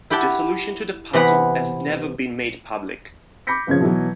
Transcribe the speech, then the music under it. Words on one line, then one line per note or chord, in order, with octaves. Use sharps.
The solution to the puzzle has never been made public.
E4 G4 F#5 G5 A5
C3 E3 B3 B4 F#5
B5 D6 G6 A#6 B6 C#7
G1 C#3 F3 C#4 G#6
B2 E3 F#3